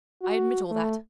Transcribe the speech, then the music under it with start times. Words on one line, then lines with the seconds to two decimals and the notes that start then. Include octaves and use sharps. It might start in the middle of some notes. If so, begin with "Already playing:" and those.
I admit all that.
0.22 F#4
0.71 A3